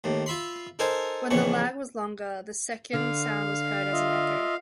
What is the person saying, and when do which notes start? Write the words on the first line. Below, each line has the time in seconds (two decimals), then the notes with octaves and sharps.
When the lag was longer, the second sound was heard as an echo.
0.04 D#2 A2
0.26 F4 E5 B5 C6
0.79 D#4 A4 A#4 C5 G#5
1.30 A#1 F2 C#3 E3 C#6
2.93 D3 F5
3.93 F4 D#5 E5